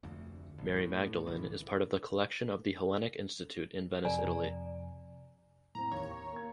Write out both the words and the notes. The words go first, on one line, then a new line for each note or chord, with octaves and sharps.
Mary Magdalene is part of the collection of the Hellenic Institute in Venice Italy.
F1 D2
A1
A2
D1 C2 E3
F2 C3 F3 D5 G#5 A#5
A2 C4 A#5
D#2 C#5
C#6
A#3 G#6